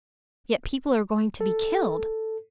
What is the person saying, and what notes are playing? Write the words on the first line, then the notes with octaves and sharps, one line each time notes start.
Yet people are going to be killed.
A4